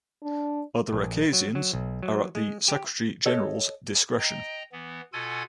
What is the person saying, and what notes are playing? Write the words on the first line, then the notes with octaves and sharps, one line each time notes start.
Other occasions are at the Secretary-General's discretion.
D4
A#1
F#3
F#3
B1
F#3
G#3
G4
A4 C#5 D#5
D#5 G5 A#5
E3 B3
B2 F4 A4 F#5 G#5 G#6